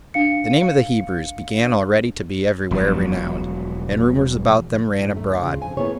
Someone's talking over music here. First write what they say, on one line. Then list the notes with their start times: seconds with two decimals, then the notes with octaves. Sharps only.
The name of the Hebrews began already to be every where renowned, and rumors about them ran abroad.
0.14 D4 F5 C#7
2.71 E1 F3 F#3
5.00 A2
5.15 F#2 A3
5.28 D2
5.42 C#3 F4
5.62 F2 G#5
5.77 A#3 B3 E4 G#4 C#5